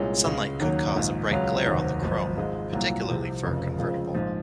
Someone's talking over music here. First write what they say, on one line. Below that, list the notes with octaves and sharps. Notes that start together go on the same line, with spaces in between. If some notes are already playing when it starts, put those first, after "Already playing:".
Sunlight could cause a bright glare on the chrome, particularly for a convertible.
Already playing: C2 A#2 G#3 C#4
C#2 C#3 G#3
D#2 D#3 F#3 A#3 C#4
A#1 G#2 D#3
C#2 C#3 F#3 C#4 F4
F1 D#2 D#3 F#3 C4
G#1 F#2 F3
G#2 D#3 G#3 C4 F4
C2 A#2 F#3 A#3 F4
C2 C3 F3 C4
F1 F2 C#3
F2 C#3 G#3 C4 F4
A#1 G#2 F3